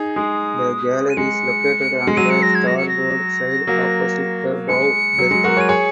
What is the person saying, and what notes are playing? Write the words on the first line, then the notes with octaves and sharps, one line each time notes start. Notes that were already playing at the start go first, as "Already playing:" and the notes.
The galley is located on the starboard side opposite the bow berth.
Already playing: D#4 G#4
G#3 D#6
D#7
G#3 C#7
G#3
C#7
F#3 D#7
C#7
A#6
G#6
A#6
C#7
A#6
F#3 A#3
G#3 C#7
F#3
G#3
F#4 A#4
G#4 C#5
D#7
G#4 C#5 C#7